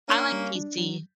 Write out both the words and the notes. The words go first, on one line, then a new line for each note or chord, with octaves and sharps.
I like PC.
A#3 C#4 D4
G3
D4
F#3